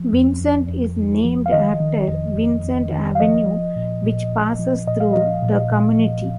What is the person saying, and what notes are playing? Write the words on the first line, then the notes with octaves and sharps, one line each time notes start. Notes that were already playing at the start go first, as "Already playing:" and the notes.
Vincent is named after Vincent Avenue which passes through the community.
Already playing: F3
F2
F2
F2
F2
F3
F5
D#3 D#5
D#3
F2
F2
F2
D#3
F5
F3 D#5
F3
A#2
A#2
A#2
F3
A#2 D#5
F5
F3 D#5
A#2
A#2
F3